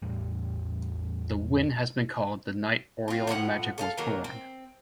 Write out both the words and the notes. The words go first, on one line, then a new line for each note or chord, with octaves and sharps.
The win has been called the night Oriole Magic was born.
E2 A2 G3
C4 F4
A2 F3 F#4 F#5
A4 D#5 F5
D#3 F#3 A#3
C4